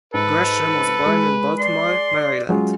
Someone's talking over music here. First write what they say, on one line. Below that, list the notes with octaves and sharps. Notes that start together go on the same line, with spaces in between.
Gresham was born in Baltimore, Maryland.
G#2 A4 B4
G#3
D5 C6
F#3 G#3 C#4 F4